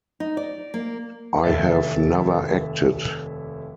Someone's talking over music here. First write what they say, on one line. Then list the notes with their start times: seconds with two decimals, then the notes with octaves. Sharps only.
I have never acted.
0.20 D#4
0.37 D5
0.74 A#3
1.44 F1 D#2 E5 A6